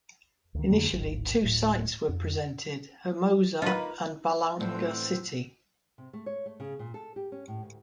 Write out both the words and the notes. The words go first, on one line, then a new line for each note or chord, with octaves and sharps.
Initially, two sites were presented: Hermosa and Balanga City.
D2 D#3
F2 D3 A#3
D1 G#1
D1 A2
F2
A#3 D#4 F4 B4
A2 D3 E3 A3 C4 C5 F#5 E6
C3
A3
C#5
A3
C#3
A#2
A4
G4
C#4
A2
D2